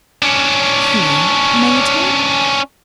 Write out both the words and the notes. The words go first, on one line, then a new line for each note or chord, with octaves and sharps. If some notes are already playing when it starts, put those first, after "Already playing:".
"HE made me--?"
C#4 D4